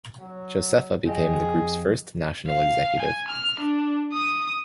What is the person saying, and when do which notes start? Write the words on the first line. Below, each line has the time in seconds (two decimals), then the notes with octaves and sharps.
Josefa became the group's first National Executive.
0.20 F#3
1.06 F2 G4 G#4 D#5
2.48 F5
3.00 G#5
3.28 F6
3.60 D4
4.13 D#6